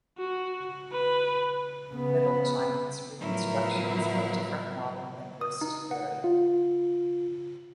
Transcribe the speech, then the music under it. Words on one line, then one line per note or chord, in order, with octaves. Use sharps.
Middle Chinese reconstructions by different modern linguists vary.
F#4
B4
C#3 B3
A2 F3 F#3 B3 E4 A#4
D#6
D#4
F#5
F4